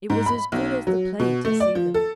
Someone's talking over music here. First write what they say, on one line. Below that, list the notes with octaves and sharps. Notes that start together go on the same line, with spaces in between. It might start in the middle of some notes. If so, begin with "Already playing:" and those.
It was as good as the play to see them.
G#2
B5
B1
F#3
B2
A3
D5
F3
A4